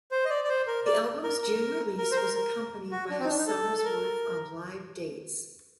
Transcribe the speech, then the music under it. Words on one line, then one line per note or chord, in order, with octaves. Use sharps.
The album's June release was accompanied by a summer's worth of live dates.
C5
D#5
D5
D5
C5
A#4
D5
A#4
A#4
A#4
C5
A#4
A#4
F#4
D4
C4
D#4
D4
D#4
A4
A4
A#4